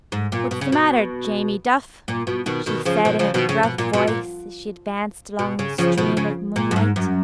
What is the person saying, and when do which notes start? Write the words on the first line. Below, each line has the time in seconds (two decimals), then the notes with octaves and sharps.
"What's the matter, Jamie Duff?" she said in a gruff voice as she advanced along the stream of moonlight.
0.12 G#2
0.32 A#2
0.51 B2
0.61 C#3
0.72 B2
2.08 A#2
2.27 B2
2.46 B2 D#3
2.66 B2 D#3
2.85 C#3 F3
3.05 B2 D#3
3.19 C#3 F3
3.34 B2 D#3
3.49 C#3
3.63 B2
3.78 A#2
3.93 B2
4.08 A#2
5.39 B2
5.59 C#3
5.78 C#3 F3
5.98 B2 D#3
6.17 C#3
6.56 A#2
6.71 F#2
6.76 G#2
6.96 F#2